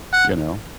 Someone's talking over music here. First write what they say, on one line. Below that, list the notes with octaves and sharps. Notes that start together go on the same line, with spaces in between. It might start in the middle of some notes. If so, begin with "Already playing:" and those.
you know?
F#5